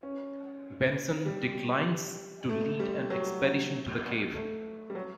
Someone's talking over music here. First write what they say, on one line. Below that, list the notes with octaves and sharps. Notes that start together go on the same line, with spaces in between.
Benson declines to lead an expedition to the cave.
C#4
G3
A3
G3
F#3
A3
G3
F#3